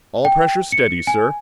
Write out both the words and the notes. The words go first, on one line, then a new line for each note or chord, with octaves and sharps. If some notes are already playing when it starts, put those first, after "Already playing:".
"All pressures steady, sir."
G5
C#7
G#5